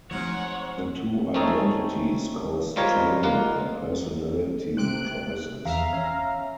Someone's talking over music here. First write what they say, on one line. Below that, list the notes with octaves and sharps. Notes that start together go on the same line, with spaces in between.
The two identities cause Jano a personality crisis.
G#2 F3 F#3 A3 C4 C#5 F#5
A3 C4 C#4 D#4 G#4 A4
G3 G#3 F4 A#4 C5 C#5
G#3 A#3 F4 F#5
C3 F#6 D7
E2 E5 F5 A#5
C#4